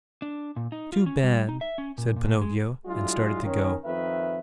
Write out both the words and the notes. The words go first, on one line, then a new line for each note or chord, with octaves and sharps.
"Too bad," said Pinocchio and started to go.
D4
A#2
D#4
F4
C#4
G3
D#4
E5
C#4
A#2
A#2
G#3
F#3 G#3 D4 E4 F4
D#3 C#4
F2 D#3 B4 E5